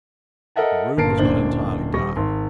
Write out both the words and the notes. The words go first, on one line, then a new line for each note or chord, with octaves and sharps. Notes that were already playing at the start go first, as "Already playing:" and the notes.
The room was not entirely dark.
A4 A#4 D#5 E5 F#5 A5
G1 A#2 A#4 A5 C7 D7
D1 F#2 A#2 D4 C5 F#7
D#1 G3 C#6 A#6
G#1 C6